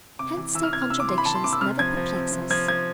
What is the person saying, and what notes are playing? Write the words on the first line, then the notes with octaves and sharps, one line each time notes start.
Hence their contradictions never perplex us.
C3 D6
E3
E3 E6
F6
C3 G#6
F6
C3 E6
D6
E3 C6
B5
E3 A5
C6
C3 D6
E6
C3 F6
F3 G#6
F3
C3
C3
F3 G#6
F3 G#6